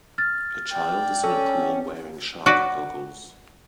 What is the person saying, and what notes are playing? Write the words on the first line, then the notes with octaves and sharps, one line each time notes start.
A child is in a pool wearing shark goggles.
F6 A6
D5 G5
C#4 A4
F#4 B4 D5